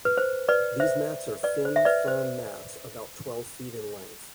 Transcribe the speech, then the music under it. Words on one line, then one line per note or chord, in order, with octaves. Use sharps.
These mats are thin, firm mats about twelve feet in length.
B4
C5
B4 D5
C5 E5
B4 D5
C5
E5
B4 D5
C5